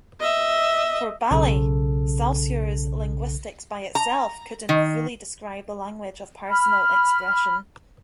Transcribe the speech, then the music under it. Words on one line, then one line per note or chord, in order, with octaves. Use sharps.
For Bally, Saussure's linguistics by itself couldn't fully describe the language of personal expression.
D#5 E5
B1 C#3 A4
A#5
D#3
B5 F6